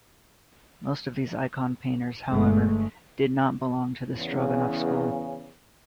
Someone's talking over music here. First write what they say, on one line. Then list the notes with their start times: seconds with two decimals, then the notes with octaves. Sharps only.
Most of these icon painters, however, did not belong to the Stroganov School.
2.28 G1 G#3 A3
4.17 E2 C#3